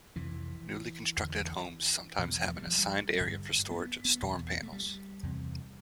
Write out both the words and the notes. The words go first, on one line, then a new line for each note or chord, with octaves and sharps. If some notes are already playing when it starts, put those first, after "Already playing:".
Newly constructed homes sometimes have an assigned area for storage of storm panels.
F2 C3 E3
E2 D3
E2 B2 F3
A3
G3
F3
G3
G2 D3
B3
B3
E2 B2
A3
G3
E2 C3